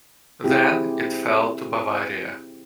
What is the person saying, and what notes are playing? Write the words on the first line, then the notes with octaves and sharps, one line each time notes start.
Then it fell to Bavaria.
C4 E4 G4 G#4